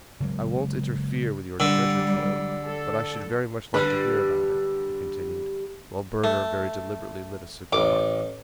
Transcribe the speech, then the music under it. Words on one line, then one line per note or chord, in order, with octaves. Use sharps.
"I won't interfere with your treasure-trove, but I should very much like to hear about it," he continued, while Burger very deliberately lit a cigar.
C#3 F#3 G#3 A#3
D3 G3
A4
D3 G3 B4
A3
A1 D6